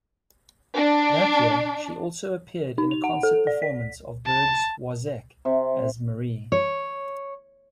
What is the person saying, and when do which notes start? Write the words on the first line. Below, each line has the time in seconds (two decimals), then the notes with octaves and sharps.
That year, she also appeared in a concert performance of Berg's "Wozzeck" as Marie.
0.76 D4
2.78 D#4
2.91 F7
3.04 F#5
3.23 A4
3.47 D5
3.62 B6
4.26 A5
5.45 C3
6.52 C#5